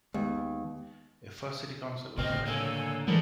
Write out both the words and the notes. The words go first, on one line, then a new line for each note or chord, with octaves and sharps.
A first City Council was elected.
D#2 G#3 B3
D2 A2 C#3 C4 D#5 F6
D3 A#3 C#5 G#5 E6
E3 G#3 A3 E4 A#4 D5 F#5